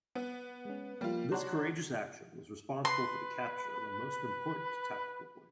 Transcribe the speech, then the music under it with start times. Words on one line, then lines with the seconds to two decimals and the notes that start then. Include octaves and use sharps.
This courageous action was responsible for the capture of a most important tactical point.
0.15 B3
0.65 G#3 C#4
1.01 F3 G3 A#3 F4
1.32 D4 F#4 C#5 A#5 C6
2.85 B4 C6